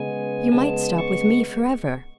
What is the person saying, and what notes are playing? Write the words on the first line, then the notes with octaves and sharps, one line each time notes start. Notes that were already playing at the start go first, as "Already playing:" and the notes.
You might stop with me for ever.'
Already playing: C#3 G#3 B3 G#5
C#3 G#3 B3 A5
C#6